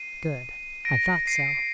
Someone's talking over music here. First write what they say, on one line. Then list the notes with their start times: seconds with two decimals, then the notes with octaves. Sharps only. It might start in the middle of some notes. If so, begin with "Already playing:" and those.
Good, I thought so.
Already playing: C7 D#7
0.85 A#6 D7
1.27 C7 D#7